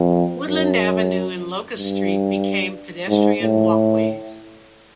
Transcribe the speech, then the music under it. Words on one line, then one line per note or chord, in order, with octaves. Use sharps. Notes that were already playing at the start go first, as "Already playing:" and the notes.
Woodland Avenue and Locust Street became pedestrian walkways.
Already playing: F2
F#2
G2
G#2
A2